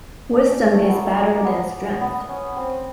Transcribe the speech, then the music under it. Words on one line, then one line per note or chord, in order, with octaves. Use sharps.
Wisdom is better than strength.
D4
C#4
C#4
A3
B3
A#3
A3
A#3
A#3
B3
B3
C#4
C4